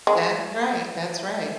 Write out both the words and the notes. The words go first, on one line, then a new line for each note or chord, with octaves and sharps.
That's right, that's right.
G#3